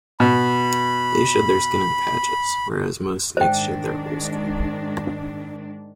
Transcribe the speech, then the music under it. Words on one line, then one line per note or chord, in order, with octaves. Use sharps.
They shed their skin in patches, whereas most snakes shed their whole skin.
B2 B5
G#2 D#3 D4 C5 G5